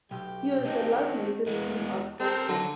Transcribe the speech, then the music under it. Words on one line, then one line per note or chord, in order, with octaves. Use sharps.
He was the last native king of Croatia.
B1 G4
C4 D#4
E2 G#3 B3
C4 A4 A#4
D3 F#3